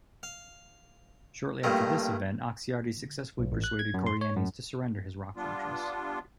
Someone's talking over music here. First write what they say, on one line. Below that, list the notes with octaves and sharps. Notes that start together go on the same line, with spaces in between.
Shortly after this event, Oxyartes successfully persuaded Chorienes to surrender his rock fortress.
F5
G2 A#2 D#3 A3
B1
A1
F#6
G#6
F#2
C6
C#5
F#2
G3 B3 D4 F4